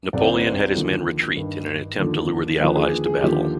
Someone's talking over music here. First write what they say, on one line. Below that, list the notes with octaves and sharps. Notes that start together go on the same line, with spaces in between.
Napoleon had his men retreat in an attempt to lure the Allies to battle.
C2 C3 D#3 D5
C5
B4
C5
D#2 D3 F3
G2 D#3
D#2 D3 F3
D#2 D3 F3 B4
G#4
G#4
D#2 D3 F3 G4